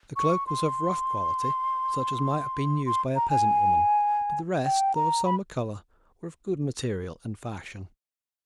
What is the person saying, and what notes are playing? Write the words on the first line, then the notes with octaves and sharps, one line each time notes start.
The cloak was of rough quality, such as might have been used by a peasant woman; but the rest, though of sombre colour, were of good material and fashion.
C#6
C6
C6
A#5
G#5
G5
A#5
B5